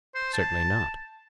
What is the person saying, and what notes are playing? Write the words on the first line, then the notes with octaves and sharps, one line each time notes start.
Certainly not.
C5
A5